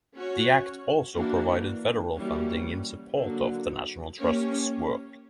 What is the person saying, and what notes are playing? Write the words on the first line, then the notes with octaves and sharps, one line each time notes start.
The Act also provided federal funding in support of the National Trust's work.
C#4 F#4 C#5
E3 A#3 D4 F#4
E3 G3 A#3 C#4 F#4
D3 F#3 A#3
A#3 C#4 G4 C#5